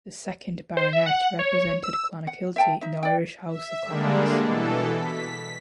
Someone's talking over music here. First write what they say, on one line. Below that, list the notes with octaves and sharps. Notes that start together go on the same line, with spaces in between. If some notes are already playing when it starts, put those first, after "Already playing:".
The second Baronet represented Clonakilty in the Irish House of Commons.
C5
E5
F#5
C#5
E6
F#5
E5 G5 A5
D#4 E5
D5 G5
E5
D3 G3 G#3 A#3 D4
B2 E3 A4
B6